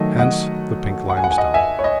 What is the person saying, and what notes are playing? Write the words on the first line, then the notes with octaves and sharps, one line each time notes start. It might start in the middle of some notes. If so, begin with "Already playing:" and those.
Hence the pink limestone.
Already playing: D#3 F#3 A3 D#5
D#5 F#5
F#5
G#5
F#5
G#5
D#5 F#5
E5 G#5
C#5
D#5